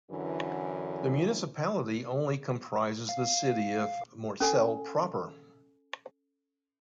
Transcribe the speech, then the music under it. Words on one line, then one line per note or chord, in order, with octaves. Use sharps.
The municipality only comprises the city of Mortsel proper.
F#2 D3 E3
F5
C#4 A4 G#5